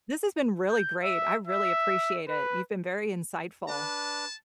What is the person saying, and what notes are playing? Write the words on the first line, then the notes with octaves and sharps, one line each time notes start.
This has been really great. I really appreciate it. You've been very insightful.
G6
E5
E5
B4
D4 B4 A5